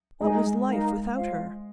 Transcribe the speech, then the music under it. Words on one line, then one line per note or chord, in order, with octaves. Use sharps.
What was life without her?
G#3 D#4 G#4 D#5 G#5
D#4 A#4 F5
F4 C5 F5